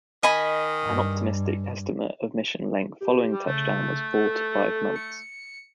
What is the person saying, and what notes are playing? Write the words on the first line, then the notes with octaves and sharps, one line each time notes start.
An optimistic estimate of mission length following touchdown was "four to five months".
D#3 D#5 G#5 B5
G2
G4
G3
C#3 A3
A4
C#7